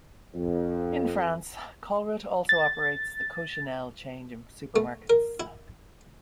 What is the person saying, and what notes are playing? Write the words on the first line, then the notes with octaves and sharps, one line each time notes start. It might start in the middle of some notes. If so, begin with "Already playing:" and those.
In France Colruyt also operates the Coccinelle chain of supermarkets.
F2
A6
A3
A#4
E4